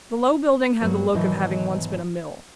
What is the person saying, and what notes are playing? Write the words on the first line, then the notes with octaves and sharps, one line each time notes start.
The low building had the look of having once been a mill.
G2 F#3 G3 A#3 B3
G#2 B2 D#3 E3 F#3 E4